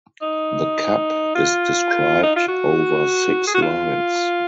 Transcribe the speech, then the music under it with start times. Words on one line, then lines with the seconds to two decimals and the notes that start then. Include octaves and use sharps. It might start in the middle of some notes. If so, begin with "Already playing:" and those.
The cup is described over six lines.
0.22 D#4
1.35 F4
2.23 D#4
2.36 F4
2.48 F#4
3.47 G#4
3.54 F#4
3.62 F4